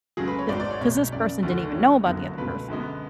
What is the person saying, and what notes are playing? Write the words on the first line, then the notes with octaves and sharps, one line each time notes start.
'cause 'cause this person didn't even know about the other person.
C#2 C#3 F#3 A3 G#4
B4
C#5
G#1 G#2 G#3 D5
D5
C#5
B1 B2 G#3 C#5
F#1 F#2 C#3 D5
D2 D3 F#3 A3
F#2 D3 F#3 B3 C#5
F#1 F#2 D3 F#3 B3
C#2 B2 A3 B4
F#2 D3 G#3 B3